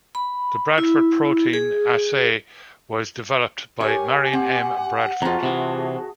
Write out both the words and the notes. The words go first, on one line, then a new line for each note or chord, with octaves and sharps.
The Bradford protein assay was developed by Marion M. Bradford.
B5
E4
G#4
G4 A#4 C#5 G#5
C4 F#5
F2 F4 F#4 G#4 A5 A#5
C3 E3